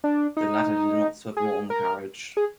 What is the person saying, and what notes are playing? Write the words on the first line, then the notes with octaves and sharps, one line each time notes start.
The ladder did not swivel on the carriage.
D4
D#4
G#4
A#4
G#4